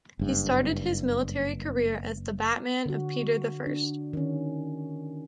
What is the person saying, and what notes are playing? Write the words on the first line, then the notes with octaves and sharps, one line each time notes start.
He started his military career as the batman of Peter the First.
F#1 G2
D3 F#4
D4
D#3 C#4